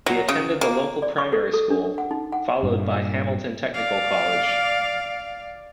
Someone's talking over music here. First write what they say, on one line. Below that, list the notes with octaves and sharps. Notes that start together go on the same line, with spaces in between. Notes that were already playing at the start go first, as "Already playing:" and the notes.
He attended the local primary school, followed by Hamilton Technical College.
F#3
C#3
A#3
D5
C#6
A4
A4
D4
F#5
D#4
F#5
G2 A#2
D5 F5